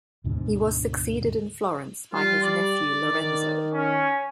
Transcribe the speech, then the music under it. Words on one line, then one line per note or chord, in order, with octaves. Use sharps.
He was succeeded in Florence by his nephew Lorenzo.
D2 G#2 B2 D3
G3 F4
D5
D#3
C#4